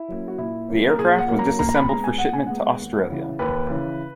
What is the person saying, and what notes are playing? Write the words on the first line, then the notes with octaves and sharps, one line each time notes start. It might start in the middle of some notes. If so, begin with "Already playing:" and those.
The aircraft was disassembled for shipment to Australia.
Already playing: E4
F#3 A#3 C#4
F#4
A#2 E4
F#3 A#3 C#4
A#4
A#2 G#4
F#5
F#3 A#3 C#4
A#5
A#2 A#5
A#5
B5
G#3 B3 A#5
G#5
A#2 F#5
G#5
G#3 B3 F#5
D#2
C#3 E3
D#2 B4
C#3 E3